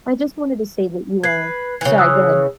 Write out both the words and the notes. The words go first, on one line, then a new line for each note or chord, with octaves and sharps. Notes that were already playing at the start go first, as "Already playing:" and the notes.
I just wanted to say that you are Sorry, go ahead.
B4 G#6 C7
C#3 E3
D#6 E6 F#6